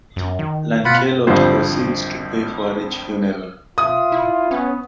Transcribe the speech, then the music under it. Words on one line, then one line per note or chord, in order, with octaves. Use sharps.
Lancelot proceeds to pay for a rich funeral.
F#2
D#3
B2 F4 F#5 B5
G#1 F2 D3 G3 C5
F4 E5 D#6
E4
B3 C#4